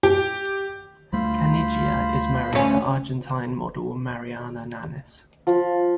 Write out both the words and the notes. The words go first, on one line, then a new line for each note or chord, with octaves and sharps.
Caniggia is married to Argentine model Mariana Nannis.
G4
D2 G3 A3 F4 C5 B5
D2 C#4
F3